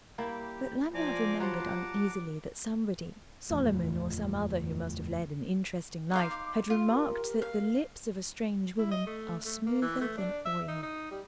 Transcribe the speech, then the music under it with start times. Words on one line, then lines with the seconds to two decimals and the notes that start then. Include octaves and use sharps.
But Lanyard remembered uneasily that somebody--Solomon or some other who must have led an interesting life--had remarked that the lips of a strange woman are smoother than oil.
0.18 G3 A#3 E4 G4
0.94 F3 D5 G#5 A#5 D6
1.40 F#3 G3 C5 F#5 A5 A#5 D6
3.50 F#1 E2 A2 F3
6.11 D#4 C5 F5 D6
6.70 F4
6.87 G4 A#4
7.42 F5
8.78 E4
8.91 D#5
9.07 A3
9.45 A3
9.66 A#3
9.82 E3
10.01 A3
10.17 D4
10.45 E5
10.68 D#4
10.83 D#4
11.11 G3